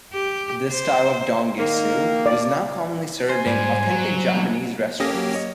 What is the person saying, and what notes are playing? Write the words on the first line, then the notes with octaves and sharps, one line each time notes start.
This style of "don-gaseu" is now commonly served in authentic Japanese restaurants.
G4
C5
D#3 A#3
D5
C5 G#5
G#2 G3 D5
F#3
E2 G2 A#2 F#5 G#5
A#3 C#4 G4 A4 D#6 A#6
F#3
C#5 D#5